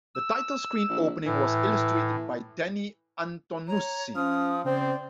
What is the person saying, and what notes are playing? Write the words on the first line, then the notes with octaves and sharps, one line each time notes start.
The title screen opening was illustrated by Danny Antonucci.
E6
A#1
A2 E3
C#5 A#5
F3 C#4 D#6 F6
C#3 C4 C5 D5